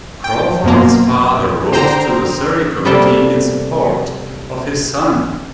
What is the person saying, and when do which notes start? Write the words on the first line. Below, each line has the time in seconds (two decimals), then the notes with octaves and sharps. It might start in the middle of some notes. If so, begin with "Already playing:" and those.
Crawford's father wrote to the Surrey committee in support of his son.
0.24 G5
0.64 F#2 B2 A#3
1.72 D3 C5 G5 A#5
2.85 C3 G3 A#3 A4 G5 A5